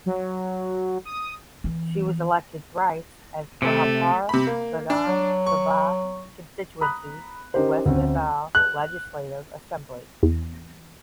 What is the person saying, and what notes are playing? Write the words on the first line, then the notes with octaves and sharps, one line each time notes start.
She was elected thrice as Berhampore Vidhan Sabha Constituency in West Bengal Legislative Assembly.
F#3
D#6
E3
C3 A3
C3 B5
A#3
D4
F#3
C#6
A#5 B5 D#6 F#6
C#4 D#4 G4 A#4 C5
D2 C4 C#4
F#6
E2